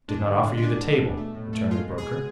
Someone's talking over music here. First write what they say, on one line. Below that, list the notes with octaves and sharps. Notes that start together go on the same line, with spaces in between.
"I did not offer you the table," returned the broker.
G#3 D4
D3
G#3
F4
G#3 D4
B2
B2
A3
A2
A3
G#3 F4
B2
G#4
G#3